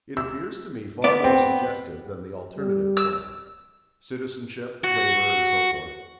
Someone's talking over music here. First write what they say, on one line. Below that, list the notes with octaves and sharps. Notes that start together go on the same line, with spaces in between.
It appears to me far more suggestive than the alternative plan--Citizenship, Labour, and so forth.
E6
B3 D5
C4
G3
E6
F#4